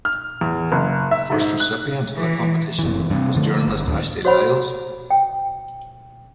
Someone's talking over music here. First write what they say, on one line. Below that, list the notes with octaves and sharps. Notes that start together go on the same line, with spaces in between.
The first recipient of the competition was journalist Ashley Lyles.
F6
E2
F#1
E5
G#2
F#6
E3
F#1 E3
G2 C3
D3 F3 A3
G1
D1 D#2 D3
F#4 C5 C#5 F#5 B5
G5